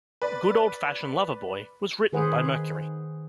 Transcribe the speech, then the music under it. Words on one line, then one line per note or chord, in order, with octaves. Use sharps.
"Good Old-Fashioned Lover Boy" was written by Mercury.
B4 D5
D#3 G#4 B4 C5 F#5